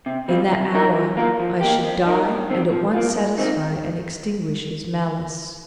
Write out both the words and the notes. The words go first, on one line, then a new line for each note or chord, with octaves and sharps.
In that hour I should die and at once satisfy and extinguish his malice.
C3
G3 C4 F4
C3
F3 D#4 A#4
F3
A#3 F4 A#4
F3
A#3 G4
F2
F3 D#4 A#4
G2
D#3 C4
F3
A#3 F4
G2
D#3 C4 D#4